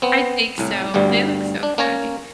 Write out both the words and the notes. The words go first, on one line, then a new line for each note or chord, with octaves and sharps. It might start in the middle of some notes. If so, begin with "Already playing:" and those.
I think so, they look so funny.
B3 C4
C2 A2
G1 D2 G2 G3
D4
A#3 C#4 C#5 A#5